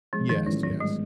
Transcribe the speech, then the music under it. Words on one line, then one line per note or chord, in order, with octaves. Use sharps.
Yes, yes.
F3 G#3
D#3 F3
A1 F#3
G#2 F#3
G3 G#3